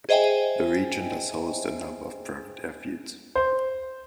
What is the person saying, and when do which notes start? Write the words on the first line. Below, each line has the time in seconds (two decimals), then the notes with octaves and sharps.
The region does host a number of private airfields.
0.09 G#4 C5 D#5 E5 G5 G#5
3.35 C5